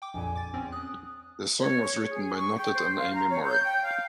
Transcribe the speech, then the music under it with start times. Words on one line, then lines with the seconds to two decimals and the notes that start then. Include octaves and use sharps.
The song was written by Nottet and Amy Morrey.
0.02 G5 D6
0.14 A#1 F2 A#2 G#5
0.36 D6 A6
0.54 E2 C4 C#4
0.72 D#6 F#6
1.60 C#5
1.82 C#5
2.09 G#4
2.36 C#6
2.57 G5
2.74 C5
2.98 F5
3.13 A#5
3.29 C#5
3.45 G6
3.64 G5
3.83 F5